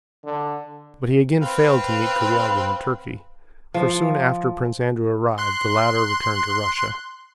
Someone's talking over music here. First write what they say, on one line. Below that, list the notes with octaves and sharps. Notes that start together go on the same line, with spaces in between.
But he again failed to meet Kuragin in Turkey, for soon after Prince Andrew arrived, the latter returned to Russia.
D3
C4 B4 F5
F3
C6 F#6 C7